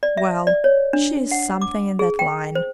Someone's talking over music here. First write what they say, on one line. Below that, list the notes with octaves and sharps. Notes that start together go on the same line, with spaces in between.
Well, she's something in that line.
D5
E5
D5
C#5
D4
F#5
D6
G#4
G5
C5